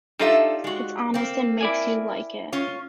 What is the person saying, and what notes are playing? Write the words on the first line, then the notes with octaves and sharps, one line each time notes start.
It's honest and makes you like it.
G3 D4 D#4 F4 A4 E5
G#3 F#4
A#3 C4
E4 D5 G#5
C#4 F4 C#5